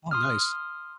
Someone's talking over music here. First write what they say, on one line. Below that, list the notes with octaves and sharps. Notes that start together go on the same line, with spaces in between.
Oh, nice.
C6 D#6 F6